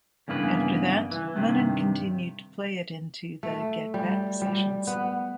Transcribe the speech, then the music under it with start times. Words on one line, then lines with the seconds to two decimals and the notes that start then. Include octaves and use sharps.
After that, Lennon continued to play it into the Get Back sessions.
0.28 E2 G2 C#3 A#3 B4
1.12 E3
1.36 G2 C3 D#3
3.43 A3
3.94 G3
4.42 G3
4.87 B3